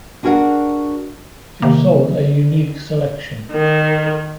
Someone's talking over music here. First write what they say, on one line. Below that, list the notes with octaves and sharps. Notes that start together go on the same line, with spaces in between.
It sold a unique selection.
D4 F#4 G#4 A#4 D5 F#5
C3 D#3 A#3
D#3